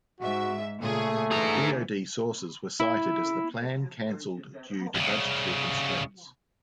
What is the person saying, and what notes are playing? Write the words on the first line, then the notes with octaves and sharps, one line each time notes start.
DoD sources were cited as the plan cancelled due to budgetary constraints.
G#2 F#4 E5
A#2 C#3 A3 G#4
D3 E3 G#4 A#5
E4
C2 C#3